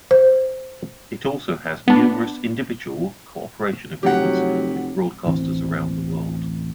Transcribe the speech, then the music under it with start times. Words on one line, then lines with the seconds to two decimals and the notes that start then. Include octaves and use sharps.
It also has numerous individual cooperation agreements with broadcasters around the world.
0.11 C5
1.88 B3 D4
4.03 F1 F#3 G4 F#5
5.26 A1 D2 E3 C4